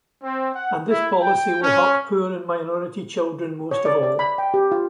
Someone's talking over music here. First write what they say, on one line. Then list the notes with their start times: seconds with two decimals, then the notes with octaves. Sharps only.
And this policy will hurt poor and minority children most of all.
0.22 C4
0.55 F#5
0.89 E4
1.19 G5
1.61 C#4
3.71 C#5
3.85 D5
4.03 D5
4.19 B5
4.38 G5
4.54 G4
4.72 F4